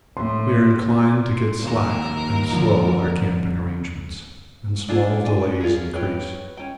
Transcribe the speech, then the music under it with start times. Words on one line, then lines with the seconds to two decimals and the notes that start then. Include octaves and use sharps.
We are inclined to get slack and slow with our camping arrangements, and small delays increase.
0.17 A2 C6
1.27 C6
1.61 D#2 A#4
2.52 D3 F3
4.88 D4 F4 G#4 A4
5.24 D4 G#5
5.60 F4 G#4
5.93 B4 C#5 G5
6.57 C#4 G5